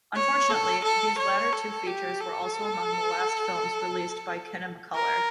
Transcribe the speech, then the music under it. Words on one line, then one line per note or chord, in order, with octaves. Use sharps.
Unfortunately, these latter two features were also among the last films released by Kinemacolor.
C#5
A4
A4
C#5
A4
G4
A4
A#4